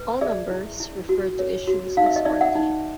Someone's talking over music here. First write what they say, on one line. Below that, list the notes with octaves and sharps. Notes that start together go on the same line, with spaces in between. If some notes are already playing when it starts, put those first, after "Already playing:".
All numbers refer to issues of Sparky.
Already playing: B4
G#4 D5 E5
E4
E4
F#4
C#5
F#4
D#4 F5
E5
D#5
D#4 D5 E5
E5 F#5
D#4